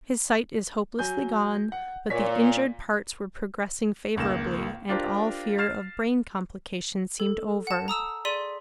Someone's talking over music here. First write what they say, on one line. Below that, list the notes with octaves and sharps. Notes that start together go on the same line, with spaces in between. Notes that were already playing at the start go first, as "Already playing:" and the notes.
His sight is hopelessly gone, but the injured parts were progressing favourably, and all fear of brain complications seemed over.
F#3 G#5 G6
F#5
A#2 C#5 B6
G#1 C#2 A#3 E7
D4 F4 G4 A#4 C5
F6 A6 C7 E7
A4
F#5 A5
A#5 D#6 E6 E7
G#4 D5 C6 B6 D#7